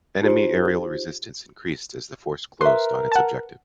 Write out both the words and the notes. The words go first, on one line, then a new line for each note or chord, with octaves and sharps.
Enemy aerial resistance increased as the force closed its objective.
D#4 F4 G4 C5
A#4 B4 E5 C6
F#5 A5